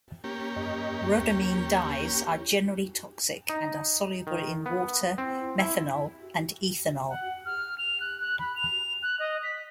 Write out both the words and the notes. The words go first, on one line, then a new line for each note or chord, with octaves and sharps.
Rhodamine dyes are generally toxic, and are soluble in water, methanol and ethanol.
A#3 C#4 G4
F#2 D#5
D#2
D#4
D#3
B3
C4
E4
F#5
F6
F7
F#6
F#6
B5
F7
F#6
D#5
B6